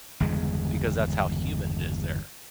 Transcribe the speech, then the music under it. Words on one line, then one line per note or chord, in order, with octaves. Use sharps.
because that's how humid it is there.
G1 E2 C#3 G#3